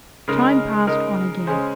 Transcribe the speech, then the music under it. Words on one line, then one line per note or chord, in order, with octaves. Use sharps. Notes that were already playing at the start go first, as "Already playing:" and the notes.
Time passed on again.
C#3 G#3 D#4 A#4
C#3 G#3 D#4 A#4
C#3 G#3 C#4 G#4 C5